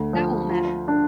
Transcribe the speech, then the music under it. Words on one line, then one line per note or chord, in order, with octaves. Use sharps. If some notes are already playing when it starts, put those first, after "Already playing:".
That won't matter.
Already playing: D2
F3
F4
D4